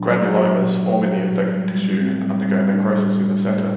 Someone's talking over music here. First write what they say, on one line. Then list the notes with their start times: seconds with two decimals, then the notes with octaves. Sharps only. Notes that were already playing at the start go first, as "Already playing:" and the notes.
Granulomas form in the infected tissue and undergo necrosis in the centre.
Already playing: A#2 F#3 D4
0.10 F#3
0.34 F#3
0.58 A#2
0.82 F#3
1.06 F#3
1.29 A2
1.54 G3
1.77 G3
2.01 A2 C4
2.25 G3
2.49 G3
2.73 A2 D4
2.97 G3
3.20 G3
3.45 A2